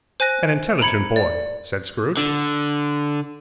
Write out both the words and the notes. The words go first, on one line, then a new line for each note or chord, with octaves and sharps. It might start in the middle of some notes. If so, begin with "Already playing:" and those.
'An intelligent boy!' said Scrooge.
C5 G#5 F#6 A#6
A#5 B5 G#6 C#7
D5
D3